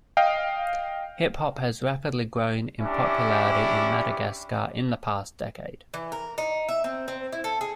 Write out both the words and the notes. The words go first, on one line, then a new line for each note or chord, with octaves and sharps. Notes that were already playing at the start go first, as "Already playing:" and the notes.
Hip hop has rapidly grown in popularity in Madagascar in the past decade.
D#5 F5 G5
C#4 D4 E4 G4
E3
A#4
D#4
E5
C4
C4
E4
A4
G#4